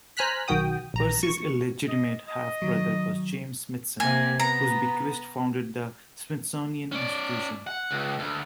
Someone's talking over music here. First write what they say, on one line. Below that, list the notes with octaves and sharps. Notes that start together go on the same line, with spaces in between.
Percy's illegitimate half brother was James Smithson, whose bequest founded the Smithsonian Institution.
C5 G#5 A#5 F6 F#6 B6
B1 D#3 F#4 G5 D#6
A#1 A#5
C#6
D#5
D#5
D#3 F#3
C3 A#3 G#5
B3 A#5
C#4 D5
F#5
C#2
D2